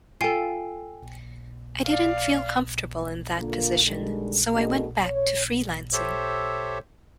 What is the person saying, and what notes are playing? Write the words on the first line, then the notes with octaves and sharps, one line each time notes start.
I didn't feel comfortable in that position, so I went back to freelancing.
F4 A4 G5 G#5 C7
D5 F5
D3 A#3 F4
D3 D#3 G3 G#3
B2 A3 D4 G#4 A#4 D#5
C#5
G4 A4 C5 C#5 E5